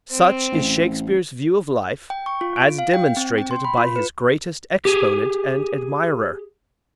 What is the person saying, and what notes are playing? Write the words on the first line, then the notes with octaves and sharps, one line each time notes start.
Such is Shakespeare's view of life as demonstrated by his greatest exponent and admirer.
C4
A1
G5
C#6
F4
D7
F5
G5
C4
G5
C6
B5
F4
B4
G4 G#4